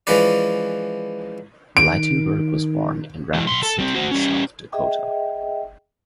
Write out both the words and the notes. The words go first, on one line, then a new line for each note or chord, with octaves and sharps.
Ligtenberg was born in Rapid City, South Dakota.
E3 F3 G#3 C#4 B4 D5
D#3 D7
E3 G#3
B1 C6
A4
G3 C4
F#4 C5
G3 C#4
G#4 D#5 E5 G5